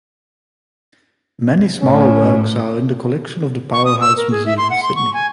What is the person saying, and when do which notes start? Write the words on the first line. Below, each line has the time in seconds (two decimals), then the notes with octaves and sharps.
Many smaller works are in the collection of the Powerhouse Museum, Sydney.
1.82 A2 C#4
3.73 C#6
3.85 D#6
4.01 E6
4.17 A#4
4.31 G#4
4.46 E5
4.58 C6
4.70 F#5
4.83 C6
4.96 C#6
5.14 G#5